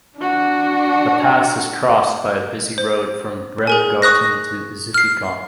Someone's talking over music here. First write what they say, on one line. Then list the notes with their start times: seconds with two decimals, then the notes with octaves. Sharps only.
The pass is crossed by a busy road from Bremgarten to Zufikon.
0.17 D4 F#4
2.78 C5
3.67 G#4 A#4 G#5
4.02 C#6 D#6 F#6 A#6
4.94 F6 C7